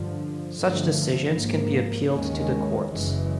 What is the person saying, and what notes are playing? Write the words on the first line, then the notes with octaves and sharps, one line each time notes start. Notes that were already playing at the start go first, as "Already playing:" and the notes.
Such decisions can be appealed to the courts.
Already playing: G2 D3 F3
G2 D3 F3 A3
G#1 G#2 F3 A#3
D#2 D#3 G#3 C#4
F#1 F#2 C#3 E3 G#3